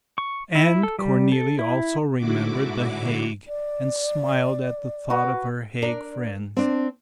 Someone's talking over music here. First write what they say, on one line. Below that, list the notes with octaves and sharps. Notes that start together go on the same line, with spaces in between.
And Cornelie also remembered the Hague and smiled at the thought of her Hague friends.
C#6
E4
A4
G3
A4
E4
G#2 D3 E4 F#4 D6
D5
F#4 B4
D4 A#4 D5
C4 D4